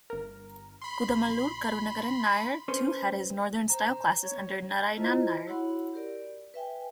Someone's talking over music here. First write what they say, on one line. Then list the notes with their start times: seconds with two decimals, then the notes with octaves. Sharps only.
Kudamaloor Karunakaran Nair too had his northern-style classes under Naraynan Nair.
0.10 G1 A#4
0.82 B5 C6
1.09 A#1
2.68 C#4 B4 C5
3.70 C5 A#5
4.21 C#5
4.97 E4 F4 C5 D#5 A#5
5.47 E4 F#4 C#5 F#5 B5 C6
5.93 G4 A#4 D5
6.54 B4 E5 G5 G#5